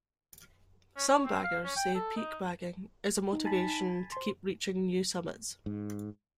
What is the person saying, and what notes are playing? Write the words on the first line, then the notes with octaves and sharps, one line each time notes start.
Some baggers say peak bagging is a motivation to keep reaching new summits.
C#4
C#5
C4
F5
C#4
G5
A4
D#4
D#4
G#5 A5 B5
C5 C6
G#2